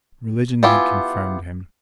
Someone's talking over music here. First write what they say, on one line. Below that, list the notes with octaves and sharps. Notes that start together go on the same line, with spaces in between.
Religion had confirmed him.
B3 E4 F4 G4 G#5